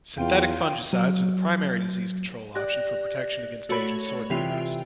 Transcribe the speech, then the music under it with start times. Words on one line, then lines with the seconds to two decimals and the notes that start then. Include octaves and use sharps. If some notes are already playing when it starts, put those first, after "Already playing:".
Synthetic fungicides are the primary disease control option for protection against Asian soybean rust.
0.18 E2 F4 G5
0.93 F#3
2.55 G4 D5 F#6 A#6
3.69 A3 F#4 A4 C#5 B5
4.30 C3 E3 C4 F4 G5